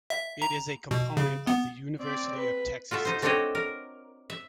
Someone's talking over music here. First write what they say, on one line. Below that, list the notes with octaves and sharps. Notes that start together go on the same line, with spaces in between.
It is a component of the University of Texas System.
E5
A#5
B2
C#3
B3
C4 D5
B4
F4 F#4 A4 E5
D#4 C5
A3 C4 D4 A4 C#5 D#5
A#4
E5